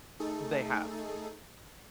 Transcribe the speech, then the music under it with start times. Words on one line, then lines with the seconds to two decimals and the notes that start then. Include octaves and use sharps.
They have.
0.20 A3 D#4 G#4 A4